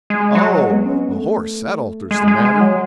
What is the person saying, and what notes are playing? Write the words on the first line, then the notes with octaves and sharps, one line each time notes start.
'Oh! a horse; that alters the matter.
G#3
F#3
G#3
B3
C#4
B3
A3
G#3
G#3
G#3
F#3